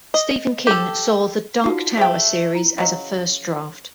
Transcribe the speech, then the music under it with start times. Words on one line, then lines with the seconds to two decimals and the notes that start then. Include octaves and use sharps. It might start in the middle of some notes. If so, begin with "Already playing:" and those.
Stephen King saw the "Dark Tower" series as a first draft.
0.14 D#5
0.67 G4 A4
1.64 D3 D#4 F4 F#4 F5
1.97 A3 G#4 C5 E5 G5
2.54 E4 A#5
2.78 C#3 F#3 D#5